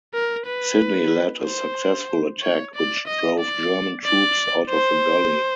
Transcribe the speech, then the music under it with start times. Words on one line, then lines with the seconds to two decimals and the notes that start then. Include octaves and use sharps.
Sidney led a successful attack which drove German troops out of a gully.
0.14 A#4
0.46 B4
1.44 C5
2.42 C#5
2.75 D5
3.07 D#5
3.39 D5
4.05 D5
4.70 C5